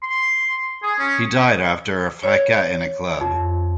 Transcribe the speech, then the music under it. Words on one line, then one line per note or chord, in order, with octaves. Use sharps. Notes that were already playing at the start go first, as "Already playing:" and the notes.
He died after a fracas in a club.
C6
G#4
C#4
C#5
F2